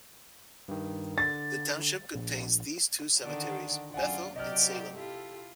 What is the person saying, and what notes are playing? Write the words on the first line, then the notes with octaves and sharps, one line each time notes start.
The township contains these two cemeteries: Bethel and Salem.
G2 D#3
D3 A6
A#1
D3 D#3 D5 F#5
F#2 D3 F4 D5 F#5 G#5
C3 F#3 G4 D5 D#5 F6
E4 F4 G4 A4